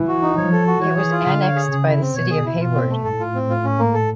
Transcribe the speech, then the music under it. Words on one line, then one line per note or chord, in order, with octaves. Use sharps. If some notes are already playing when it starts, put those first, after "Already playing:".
It was annexed by the City of Hayward.
Already playing: E3
F#4
D#4
F3 C#5
A4
F#4
E3 C#5
G#4
F4
D3 F5
C#5
G#4
C#3 G#4
E4
C4
B2 C#5
G#4
E4
B2 F4
C4
A3
A2 A4
F4
C4
F4
C#4
A#3
A4